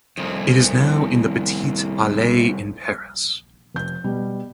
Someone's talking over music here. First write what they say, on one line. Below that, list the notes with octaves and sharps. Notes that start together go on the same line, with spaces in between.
It is now in the Petit Palais in Paris.
C2 F2
F1 G6
B2 G3